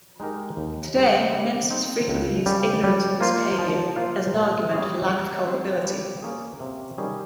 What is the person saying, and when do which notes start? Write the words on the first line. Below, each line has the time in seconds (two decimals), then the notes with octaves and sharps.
Today ministers frequently use ignorance of misbehaviour as an argument for lack of culpability.
0.20 G#3 D#4 G4 A#4
0.57 D#2
0.95 C#3 G3
1.33 G3
1.70 C4 D#4
2.08 C#2
2.46 C#3 G3
2.84 G3
3.21 A#3 F4 C5
3.59 F3
3.96 A#3 F4 C5 F5
4.34 A#2
4.72 G3 C#4 G#4 D#5
5.09 G3
5.47 C4 G4 C5
5.84 G3
6.22 A#3 C#4 G#4
6.60 C3
6.98 D#3 G3 C#4 G#4